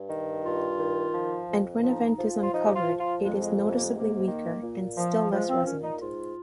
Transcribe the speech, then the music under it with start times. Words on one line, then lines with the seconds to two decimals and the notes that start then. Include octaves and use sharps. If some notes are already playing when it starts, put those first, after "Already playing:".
And when a vent is uncovered it is noticeably weaker still and less resonant.
Already playing: G2
0.09 D#3
0.45 G2 F4
0.79 D#3
1.14 F3
1.49 F2
1.83 F3 D#4
2.18 F3
2.42 F4
2.53 F3 D#4
2.64 G4
2.76 F4
2.88 F3
2.99 F4
3.22 F2 G#3
3.41 G#3
3.57 C3 G#3
3.75 A#3
3.87 G#3
3.92 G#2
3.98 A#3
4.27 D#3
4.62 A#2
4.97 F3
5.31 F3 G#3
5.49 C4
5.66 A#2 C#4
5.84 D#4
6.01 G#2 F4